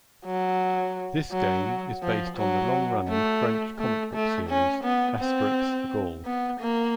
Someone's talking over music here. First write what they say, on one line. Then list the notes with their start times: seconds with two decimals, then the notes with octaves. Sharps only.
This game is based on the long-running, French comic book series "Asterix the Gaul".
0.26 F#3
1.31 F#3
2.02 F3
2.37 F#3
3.08 A3
3.78 A3
4.14 A3
4.49 C#4
4.84 B3
5.19 C4
6.25 B3
6.60 A#3